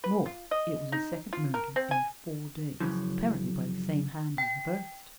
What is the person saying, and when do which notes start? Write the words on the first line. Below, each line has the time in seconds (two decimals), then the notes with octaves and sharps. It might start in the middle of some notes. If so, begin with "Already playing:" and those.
More, it was a second murder in four days, apparently by the same hand as the first.
0.04 B4
0.26 F4
0.51 D#5
0.92 D#4
1.33 F4
1.54 A#4
1.76 C4
1.91 G#5
2.80 F#2 A2 C#3 E3 F3
4.38 G5